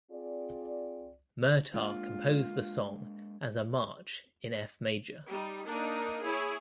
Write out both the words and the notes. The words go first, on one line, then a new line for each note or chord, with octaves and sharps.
Murtagh composed the song as a march in F major.
C4 F4 G#4 D5
G#3 A#3 D4 F4
G3 D#4
A#3 D4 D#4 A#4
E4 G#4 C#5